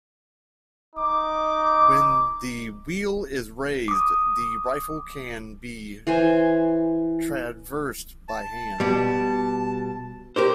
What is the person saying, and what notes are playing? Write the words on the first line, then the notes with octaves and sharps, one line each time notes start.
When the wheel is raised, the rifle can be traversed by hand.
D#4 D6
D6 D#6
E3 C5 G#5 C6
A5
B2 G3
G4 A#4 C5 D6